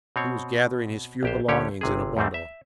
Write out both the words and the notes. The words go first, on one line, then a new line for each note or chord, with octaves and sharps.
He was gathering his few belongings in a bundle.
B2 C4 C#5
A#1 G4 C5
D2 D3 C#4 G4 C#5
G1 C3 G#4
E2 G#2 G3 A3 C4
E5